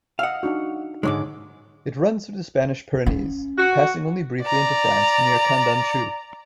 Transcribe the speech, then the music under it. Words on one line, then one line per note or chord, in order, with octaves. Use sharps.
It runs through the Spanish Pyrenees, passing only briefly into France near Candanchu.
D#5 F5 F#5 E6
D4 D#4 F#4
G#2 D3 G#3 D#4 C#5 D6
C#4
F#4
D5 A#5